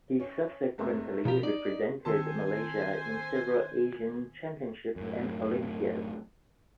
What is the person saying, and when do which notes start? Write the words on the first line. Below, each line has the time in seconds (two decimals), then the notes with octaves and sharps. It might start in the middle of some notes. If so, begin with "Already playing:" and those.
He subsequently represented Malaysia in several Asian Championships and Olympiads.
0.20 C#4
0.78 F#1 A3 C4
1.25 B2 F3 F4 G4 A#5
1.43 D#4 D5
2.05 D#3 C4 C5 G#5 A5 C6 E6 C#7
4.96 F#2 A2